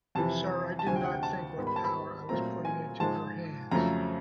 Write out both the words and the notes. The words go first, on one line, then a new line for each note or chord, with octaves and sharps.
Sir, I did not think what power I was putting into her hands.
F2 C3 E3 A5
A5
D2 C3 F3 G#5
G5
F#5
G5
A5
G#2 D#3 G3 B3
B5
A5
B5
A#2 F#3 A3 C4 A#5
G#5
G#2 F3 G#3 A5
F2 C#3 F#3 A3 A#5